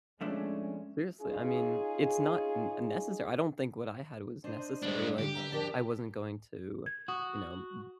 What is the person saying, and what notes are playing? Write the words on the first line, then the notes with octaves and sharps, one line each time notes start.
seriously, I mean, it's not n necessary, I don't think what I had was necessary, like, I wasn't going to, you know, b
F2 G#3 A3 C#4 D4
C#4 D#4 F4 G#4
D4 C5 D#5
G2 G#3 D4
D3 G4
B4 E5 A#5
F2 D4 A#4 A5
G#6
F#4 D#6